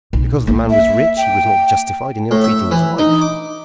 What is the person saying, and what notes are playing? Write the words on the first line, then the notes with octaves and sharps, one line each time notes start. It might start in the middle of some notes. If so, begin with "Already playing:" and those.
Because the man was rich he was not justified in ill-treating his wife.
B1
A#3
E5
G5
A2
E5
E3
D#4
D6